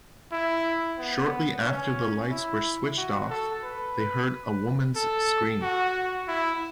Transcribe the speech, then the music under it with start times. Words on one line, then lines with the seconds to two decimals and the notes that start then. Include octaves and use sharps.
Shortly after the lights were switched off, they heard a woman's scream.
0.32 E4
0.98 B3
1.64 C#4
2.30 E4
2.97 F#4
3.30 A4
3.63 B4
4.96 A4
5.62 F#4
6.28 E4